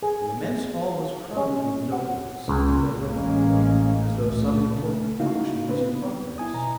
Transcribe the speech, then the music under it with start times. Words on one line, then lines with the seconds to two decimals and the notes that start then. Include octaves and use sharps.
The immense hall was crowded with nobles and their women, as though some important function was in progress.
0.02 G#4
1.37 C#4
1.92 F#5
2.48 C#2
3.07 A1 G#3 A#3 C#4
4.12 C#2 A#2 A3
5.20 C#3 A#3 D#4 E4 F#4 F5
5.69 C4 D4 B4
5.81 B3
6.38 E4 G#5 D#6
6.54 B2 A#5